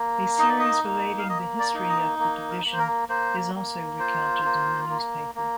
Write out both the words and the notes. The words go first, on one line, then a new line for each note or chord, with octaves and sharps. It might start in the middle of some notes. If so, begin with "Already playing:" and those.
A series relating the history of the division is also recounted in the newspaper.
Already playing: A#3
D#4 D#5
D5
D#5
A#3
F5
A#3 D#5
D5
D#4
D#5
A#3
A#4
A#3
C5
A#4
A#3 C5
A#3
F4 C5
A#3
A#3
A#3